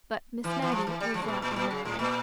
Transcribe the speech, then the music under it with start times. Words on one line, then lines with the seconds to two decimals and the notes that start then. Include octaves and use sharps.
But Miss Maggie was laughing merrily.
0.44 E3
0.62 E3
0.72 F3
0.87 E3
1.00 G3
1.14 F3
1.22 C#3
1.28 A#2
1.42 A#2
1.51 A2
1.56 A#2
1.71 C#3
1.85 A2
1.99 A#2